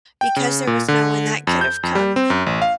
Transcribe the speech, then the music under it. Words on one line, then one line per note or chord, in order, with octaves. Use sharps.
because there was no one that could have come
G5
C#3
A#2
D3
F2
G6
F2
G3
C4
F#2
A1
F5